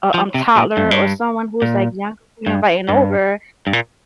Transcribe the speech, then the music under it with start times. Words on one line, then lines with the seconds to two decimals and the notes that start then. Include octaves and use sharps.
a, um, toddler or someone who's like younger you're inviting over,
0.14 F3
0.34 C3
0.56 A#2
0.77 G2
0.84 F2
0.91 G2
1.62 A#2
2.47 G2
2.89 G2
3.67 G2
3.73 A#2